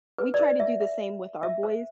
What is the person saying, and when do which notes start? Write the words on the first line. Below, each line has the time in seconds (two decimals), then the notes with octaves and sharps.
We try to do the same with our boys.
0.18 B4
0.34 D5
0.39 C5
0.60 E5
0.81 E5
1.43 E5
1.63 C5